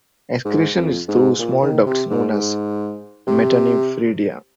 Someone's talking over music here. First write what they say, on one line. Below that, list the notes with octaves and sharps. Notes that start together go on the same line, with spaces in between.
Excretion is through small ducts known as metanephridia.
G#2
F2
G#2
A#2
D#3
C3
G#2
G#2
C3